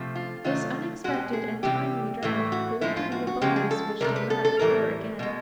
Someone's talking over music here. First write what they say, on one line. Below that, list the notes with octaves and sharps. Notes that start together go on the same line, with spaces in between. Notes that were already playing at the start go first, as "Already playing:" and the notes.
This unexpected and timely draft proved to be a bonus, which did not occur again.
Already playing: C3 F3 A3
F4
C3 D#3 F#3 A3 F4
B2 G#3 F#4
G4
G#4
C3 E3 G3 G4
A2 E3 A3
F#4
A2 F3 G#3 E4
F4
F#4
F#4
C#3 F3 G#3 G4
G#4
A4
C3 E3 G3 A#4
B4
A4
A4
A2 E3 G3 A#4
B2 G#3